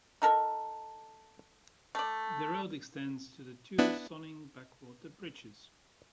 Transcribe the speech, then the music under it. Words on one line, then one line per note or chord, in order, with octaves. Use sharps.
The road extends to the two Sonning Backwater Bridges.
D#4 A4 A#4
A3 D5
B3 D4 E4